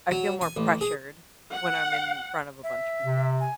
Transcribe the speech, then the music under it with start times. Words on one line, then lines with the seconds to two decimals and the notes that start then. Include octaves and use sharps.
I feel more pressured when I'm in front of a bunch of people.
0.11 F#3
0.41 G#5
0.57 A1
0.81 G#4
1.54 F#5
2.63 E5
3.05 C3
3.40 G#5